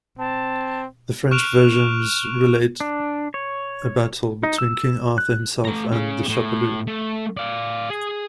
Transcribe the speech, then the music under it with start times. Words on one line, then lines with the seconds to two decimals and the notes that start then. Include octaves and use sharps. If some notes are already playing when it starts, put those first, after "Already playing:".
The French versions relate a battle between King Arthur himself and the "Chapalu".
0.19 C4 A5
1.31 C#6 F6 F#6 D7 E7 F7
2.80 D4
3.34 C#5
4.43 D#4
4.58 E6
5.18 F#6
5.65 A3 A#5
5.92 C#4 G#4
6.29 A2
6.87 A3
7.37 D5 F5
7.90 G#4